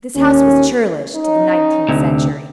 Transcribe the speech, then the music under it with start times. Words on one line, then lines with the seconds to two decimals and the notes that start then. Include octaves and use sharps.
This house was churlish to the nineteenth century.
0.16 D#2 C#4
1.14 C#4 D#4
1.89 D2 C3